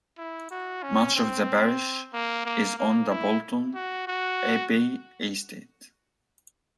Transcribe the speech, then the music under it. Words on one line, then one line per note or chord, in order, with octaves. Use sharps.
Much of the parish is on the Bolton Abbey estate.
E4
F#4
C#4
C4
A#3
A#3
A#3
E4
F#4
F#4